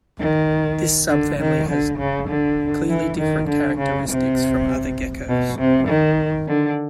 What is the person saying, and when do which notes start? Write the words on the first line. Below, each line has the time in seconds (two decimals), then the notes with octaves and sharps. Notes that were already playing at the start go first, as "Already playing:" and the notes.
This subfamily has clearly different characteristics from other geckos.
0.19 D#3
1.09 D3
1.40 D#3
1.70 D3
1.99 C#3
2.29 D3
2.89 E3
3.18 D#3
3.49 D3
3.78 C#3
4.09 C3
5.29 B2
5.59 C3
5.88 D#3
6.48 D3